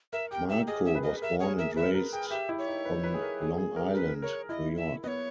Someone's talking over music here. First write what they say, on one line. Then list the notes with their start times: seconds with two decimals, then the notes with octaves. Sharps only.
Marco was born and raised on Long Island, New York.
0.13 A#4 E5
0.31 G4 G5
0.49 G4 E5
0.67 G#4 D#5
0.85 E5
0.95 B4
1.03 D#5
1.22 A#4 E5
1.40 G#4 C#5
1.58 A#4 E5
1.76 B4 E5
1.95 A#4
2.13 G#4 G5
2.30 G4 E5
2.49 E4
2.58 C#5
2.68 D#4
2.85 B4
3.03 B4
3.14 G#4
3.22 A#4
3.41 G#4
3.58 G#4
3.76 A#4
3.94 A#4 B4
4.22 A#4 C#5
4.49 E4 D#5
4.76 E5
5.03 B3 C#5 D#5